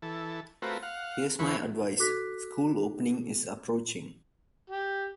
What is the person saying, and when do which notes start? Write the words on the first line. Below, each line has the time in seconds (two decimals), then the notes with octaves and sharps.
Here’s my advice. School opening is approaching.
0.02 E3 A4
0.62 A3 C4 F4 F#4 A#4 B4
0.82 F5 F#5
1.39 E2 E3 C5 F#5 B5 C#6
1.99 F#4 A4 D6 F#6 B6
4.70 G4